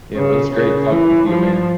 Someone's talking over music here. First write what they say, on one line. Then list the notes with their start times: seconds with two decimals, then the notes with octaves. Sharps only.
Yeah, well, it was great talking to you, man.
0.16 C#3
0.55 C#3
0.91 E3
1.29 F3